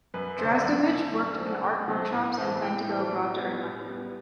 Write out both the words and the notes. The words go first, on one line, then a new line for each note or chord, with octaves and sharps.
Drazdovich worked in art workshops and planned to go abroad to earn money.
F#2 B4
D3 A3 C5
E5
F#2 D5
D3 A3
F#2
F#3 A3 C4
F#5
F#2 G5
F#3 A3 C4
A2
E3 A3 C4
A2 G5
E3 A3 C4
A2
G3 B3
A2
G3 B3